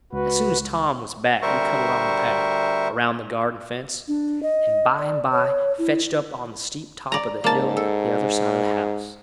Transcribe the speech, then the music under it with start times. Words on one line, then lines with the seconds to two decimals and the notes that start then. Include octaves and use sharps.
As soon as Tom was back we cut along the path, around the garden fence, and by and by fetched up on the steep top of the hill the other side of the house.
0.13 C#2 F#4 B4
1.42 D2 G3 A#4 C5 E5 C#6
4.08 D4
4.43 D#5
4.99 D5
5.32 C#5
5.78 E4
7.12 D5 A#5
7.44 G#2 A#3 A5
7.77 A4